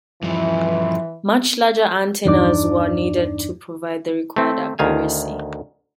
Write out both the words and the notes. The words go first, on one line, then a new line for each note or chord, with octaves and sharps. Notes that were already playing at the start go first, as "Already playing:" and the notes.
Much larger antennas were needed to provide the required accuracy.
G2 E3 F3
E2 G2 D4 D#4 D5 D6
A3 C4
D2 D#3 F5 G#5